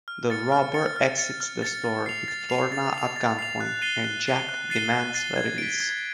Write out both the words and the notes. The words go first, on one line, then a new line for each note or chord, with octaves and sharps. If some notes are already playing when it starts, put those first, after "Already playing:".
The robber exits the store with Florna at gunpoint and Jack demands her release.
F6
A6 C#7
F6
A6 C#7
F6
A6 C#7
F6
A6 C#7
A6
C7 F7
A6
C7 F7
A6
C7 F7
A6
C7 F7
F#6
A6 C7 D#7 G7
F#6
A6 C7 D#7 G7
F#6
A6 C7 D#7 G7
F#6
A6 C7 D#7 G7
G#6
B6 D7
G#6